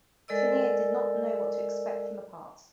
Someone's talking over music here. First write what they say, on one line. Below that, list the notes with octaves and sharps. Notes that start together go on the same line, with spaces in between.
Trinneer did not know what to expect from the part.
G#3 A4 A#4 D5 D#5 E6